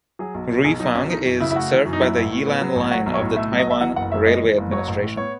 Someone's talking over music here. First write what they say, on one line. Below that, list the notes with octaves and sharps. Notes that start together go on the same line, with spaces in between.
Ruifang is served by the Yilan Line of the Taiwan Railway Administration.
F#3 G#4
B1
B2
B1 G#4
F#3 D#4
B1 C#4
E3 D#4
F#2
C#3 E4
E4
A3 F#4
E3
F#2
D#4
F#3 E4
A1
A2
B3
F#3
A1
F#3 F#4
B1
C#5
A2
A3 E5
F#3
D#5
B1 E5
E3 F#5
F#1 F#5
F#2 E5
G#3 D#5
E3
F#1
F#3 C#5
A1
A2
B3 C#5